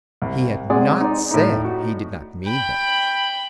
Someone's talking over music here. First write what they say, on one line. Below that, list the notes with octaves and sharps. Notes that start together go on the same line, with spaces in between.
He had not said he did not mean them.
C2
C3 G#3 G#4 D5 F#5
D#4 D5
A2 D#4
F#4
G5 B5